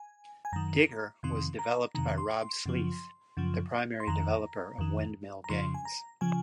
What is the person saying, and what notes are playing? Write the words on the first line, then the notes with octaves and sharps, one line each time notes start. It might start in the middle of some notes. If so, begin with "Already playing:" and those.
"Digger" was developed by Rob Sleath, the primary developer of Windmill games.
Already playing: G#5
G#5
F#2 D#3 A#5
F2 C3 D#3 C6
A#5
F2 C3 D#3 A#5
C6
C6
F#2 C#3 F3
F#2 C#3 F3
C6
F2 D#3 A#5
F2 D#3
A#5
F2 C#3 F3 C6
G#5
A#5
C#3 F3 G#5